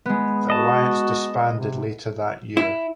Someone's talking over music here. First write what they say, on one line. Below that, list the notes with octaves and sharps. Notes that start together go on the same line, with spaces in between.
The alliance disbanded later that year.
G#3 B3
F#4 D#5 A5
C3
E4